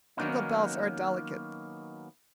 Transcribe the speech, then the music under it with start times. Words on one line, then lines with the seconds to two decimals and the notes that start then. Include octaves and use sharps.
Dingle-bells are delicate.
0.17 D#3 F#3 A#3 B3 C#4 D#4